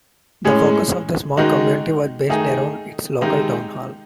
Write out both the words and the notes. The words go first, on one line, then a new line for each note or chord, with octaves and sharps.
The focus of the small community was based around its local town hall.
A2 G#3 C#4 G#4
D#3 G#3 D#4 F#4
D#3 A3 D#4 G#4
C3 D#3 G#3 D#4